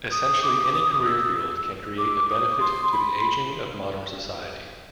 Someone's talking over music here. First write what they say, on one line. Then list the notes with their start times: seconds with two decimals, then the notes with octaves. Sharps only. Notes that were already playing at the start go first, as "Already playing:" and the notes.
Essentially any career field can create a benefit to the aging of modern society.
0.12 D#6
0.43 D6
0.74 D#6
1.05 E6
1.36 E6
1.98 D6
2.30 D#6
2.61 C6
2.92 B5